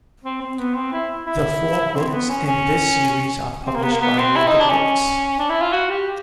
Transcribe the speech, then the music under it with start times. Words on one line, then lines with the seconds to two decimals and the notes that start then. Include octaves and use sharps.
The four books in this series are published by Walker Books.
0.24 C4
0.41 C4
0.58 B3
0.75 C4
0.93 E4
1.26 E4
1.96 C4
2.12 B3
2.30 C#4
2.47 C#4
3.66 C4
3.76 A#3
3.83 B3
3.93 A#3
4.01 B3
4.19 C4
4.36 E4
4.47 D#4
4.59 D4
4.70 C#4
5.39 D4
5.49 E4
5.61 F4
5.73 F#4
5.90 G4